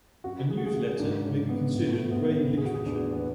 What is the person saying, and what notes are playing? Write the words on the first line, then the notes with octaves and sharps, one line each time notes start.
A newsletter may be considered grey literature.
F#2 F#4
G#4
F#4
C#3 G#4
F#4
G#2 D4
C#4
F#3
B3
A2 B3
A3
A2 B3
C#4
E2
G#4
F#4
G#4
E2 D4
B3